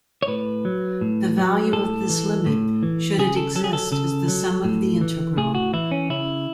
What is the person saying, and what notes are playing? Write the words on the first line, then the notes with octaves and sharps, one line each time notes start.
The value of this limit, should it exist, is the sum of the integral.
C#5
A2 B4
F#3
A2
F#3
A2 A4
E3
A2
E3
C#3 G#4
A4
F#3 A4
G#4
A4
C#3 A4
F#3
A2
E3
A2 G#4
F#4
E3 E4
C#4
C#3 E4